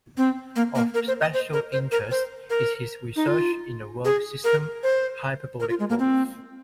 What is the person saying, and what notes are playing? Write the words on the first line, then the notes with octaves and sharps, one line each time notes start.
Of special interest is his research in the World System hyperbolic growth.
C4
A#3
A#3
A#4
C5
D#5
C5
A#4
C5
A#4
C5
A#4
D#4
F4
G#4
A#4
C5
A#4
F4
G#3
A#3
C4